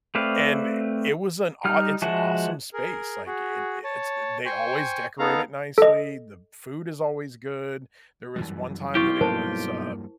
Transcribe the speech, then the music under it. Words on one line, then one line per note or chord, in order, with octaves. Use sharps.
And it was an awe it's an awesome space. Like, it it's they always decorate it nicely. The food is always good. There was one time that it was, uh,
A3 C4 B4 D5 F5
G3 D#4 F6
F3 G#3 F#4 E5 A5
G#4 A#4
F#4 G#4
C#5 A5
C5 G5 G#5 C#6
B3 D#4 A4 F5 A#5
A4 D#5
F#2 E3 G3
B1 E4 F4 G4 C#6
G2 F3 A#3 A#4 C5 A5